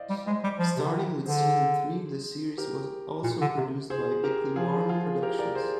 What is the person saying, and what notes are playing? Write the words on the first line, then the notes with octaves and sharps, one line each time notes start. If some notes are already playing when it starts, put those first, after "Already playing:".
Starting with season three, the series was also produced by Bickley-Warren Productions.
Already playing: C5 D5 D#5 F5
G3
G#3 C5 D#5
G3
F3
C3
D3
D#3
D3 G#4 C5
G4 A#4
A#2
D3
C3
G#4 C5
G4 A#4
F3 F4 G#4
F4 G#4
G4 A#4
A#4 D5
G#4 C5